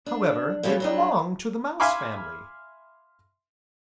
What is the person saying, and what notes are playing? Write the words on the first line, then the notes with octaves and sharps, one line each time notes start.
However, they belong to the Mouse family.
D4
B2 E3 F3 A3 C#4
F#3 G3 D4
E5 F5 G#5 B5 C6 D6